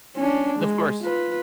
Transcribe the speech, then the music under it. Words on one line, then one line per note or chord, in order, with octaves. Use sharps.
Of course.
C#4 D4
G#3
F4 B4